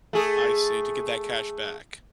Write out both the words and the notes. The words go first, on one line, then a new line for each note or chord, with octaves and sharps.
I see, to get that cash back.
A3 G#4